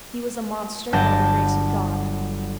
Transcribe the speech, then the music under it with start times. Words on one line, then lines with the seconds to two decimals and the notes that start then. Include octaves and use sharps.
He was a monster by the grace of God.
0.93 G1 F#3 A5 G6 A#6